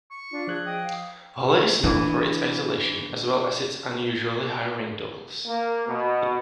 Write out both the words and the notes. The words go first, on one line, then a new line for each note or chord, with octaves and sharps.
Holly is known for its isolation, as well as its unusually high rain totals.
C#6
D4 F4
F3 G#4 F#6 G#6
D#5 G5
F5
E3 D4
A#3
B2